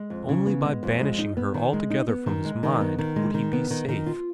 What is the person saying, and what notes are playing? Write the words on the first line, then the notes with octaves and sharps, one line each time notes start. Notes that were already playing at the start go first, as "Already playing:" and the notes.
Only by banishing her altogether from his mind would he be safe.
Already playing: G#3
F2
C#3
B3
G#3
F2
G#3
D#4
B3
D#3
G#3
D#4
B3
D#3
G#3
D#3
B3
D#3
G#3
D#3
B3
D#3
D#3
F4